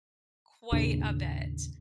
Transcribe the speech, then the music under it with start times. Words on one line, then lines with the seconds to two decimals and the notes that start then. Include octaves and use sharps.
quite a bit,
0.72 D#2 A2 C#3 D4